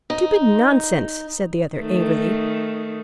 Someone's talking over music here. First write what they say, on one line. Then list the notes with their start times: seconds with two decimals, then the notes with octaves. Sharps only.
"Stupid nonsense!" said the other angrily.
0.10 D#4
1.79 D#3 A3